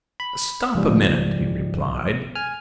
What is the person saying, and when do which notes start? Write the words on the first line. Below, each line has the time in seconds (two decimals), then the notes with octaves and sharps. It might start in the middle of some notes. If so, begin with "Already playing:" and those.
"Stop a minute!" he replied.
0.20 B5
0.75 C#2 G#2 F3 G3
2.35 G#5 F6